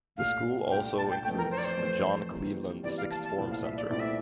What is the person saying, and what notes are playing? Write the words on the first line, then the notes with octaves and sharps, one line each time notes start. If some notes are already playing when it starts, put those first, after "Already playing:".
The school also includes the John Cleveland Sixth Form Centre.
C2 A#2 A3 D4 F5
C2 A#2 A3 D4 G5
A5
G5
F2 E3 A3 G5
A#4
C5
D5
C5
F2 E3 A3
E2 C3 G3 A#3 E4
E2 C3 G3 A#3 E4 D5
F5
A5
A5
C2 A#2 A3 C4 E4
F5
E5
D5
C2 A#2 A3 C4 E4 D5
E5